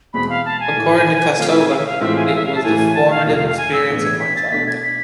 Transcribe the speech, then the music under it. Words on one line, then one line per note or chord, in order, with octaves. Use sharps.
According to Kostova, It was the formative experience of my childhood.
E2 B2 G#3 C4 G#4 B5
F5
A5
G#5
A2 E3 A3
F3 A3 C4 F5
E5
G#5
F5
E5
F5
A2 E3 G#3 C4 F4 E5
G#5
F5
E5
F5
A5
A2 E3 A3 E4 G#5
A5
F5
F2 C3 F3 A3 C4 F5
F5
F5
G#5
E6
A2 E3 B3 D4 G#4
G#6
B6
A6
B2 A3 D4 B6
G#6
B6